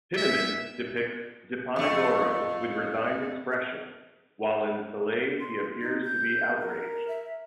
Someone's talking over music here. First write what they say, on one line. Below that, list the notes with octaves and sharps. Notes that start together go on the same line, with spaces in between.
Pieneman depicts Diponegoro with resigned expression, while in Saleh's he appears to be outraged.
E5
F2 A3
C6
D#4
G6
A#4
E5